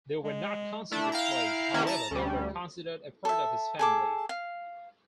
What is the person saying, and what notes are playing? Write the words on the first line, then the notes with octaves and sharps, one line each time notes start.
They were not considered slaves; however, they were considered a part of his family.
G#3
A3 D4 E4
F5 G5 A#5
D#3 A#3 C#4
A5 A#5
D2 G3 C#4
A4 E5
G#4 A4 D6
F5